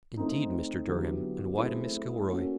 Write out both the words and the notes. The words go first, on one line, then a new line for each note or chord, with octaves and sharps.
"Indeed, Mr. Durham; and why to Mrs. Gilroy?"
A3 C4 D#4
D3 F#3 B3 E4 G4
A3 C4 E4 G#4 C5
A#3 C#4 F#4 A4